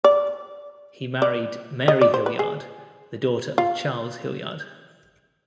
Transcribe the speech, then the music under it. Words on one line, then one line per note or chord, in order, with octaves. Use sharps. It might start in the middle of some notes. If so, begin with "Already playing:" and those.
He married Mary Hillyard, the daughter of Charles Hillyard.
D5
D5
D#5
D5
C5
B4
G#4
F4